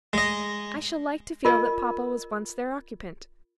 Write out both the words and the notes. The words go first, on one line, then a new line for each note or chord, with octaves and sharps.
I shall like to feel that papa was once their occupant.
G#3 D#5
F4 A#4 D#5